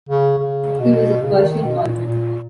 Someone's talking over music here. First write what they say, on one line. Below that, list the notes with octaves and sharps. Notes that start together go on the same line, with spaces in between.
He was of Persian origin.
C#3
C#3
B2
C#3
D#3
B2
A#2
A#2